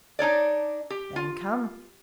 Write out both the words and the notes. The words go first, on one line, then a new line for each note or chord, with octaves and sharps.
"Then come."
D4 D#4 C#5 D5
G4
F4